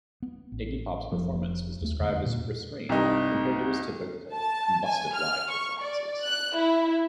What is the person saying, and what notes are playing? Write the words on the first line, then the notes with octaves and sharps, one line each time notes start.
Iggy Pop's performance was described as "restrained" compared to his typical "combustive live" performances.
B3
A1
F1 F2 F3 B3
D#2 A3
E2 D3
A#2 A#3
C2 G2 D#4
A5
G#5
F6
C#6
D5
F#6
E4